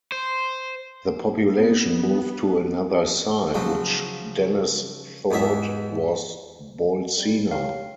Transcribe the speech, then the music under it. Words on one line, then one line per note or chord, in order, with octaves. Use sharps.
The population moved to another site, which Dennis thought was Bolsena.
C5
B3
C#3 F3 F#3
E2 G#2 G#4 E5
G3
G4 C#5 F5